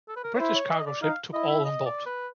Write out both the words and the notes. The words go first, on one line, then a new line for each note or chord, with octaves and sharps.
The British cargo ship took all on board.
A4
B4
A#4
C#5
E4 C5
C#5
D#5
D5
D#4 F5
E4 D#5
E5
D#5
D5
B4